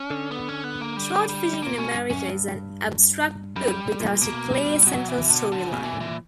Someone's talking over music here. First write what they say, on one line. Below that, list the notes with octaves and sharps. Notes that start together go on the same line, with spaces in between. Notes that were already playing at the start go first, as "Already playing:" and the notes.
"Trout Fishing In America" is an abstract book without a clear central storyline.
Already playing: C#4
D3
B3
C#4
B3
A#3
G3
G3
A#2 A#3
B2 C#4
G2
F#2 C#4
G2
F#2 G3
A#2
B2 A#3
G3
B2 F#3
E3
D3
D3
C#3
B2
E3
A#2
E3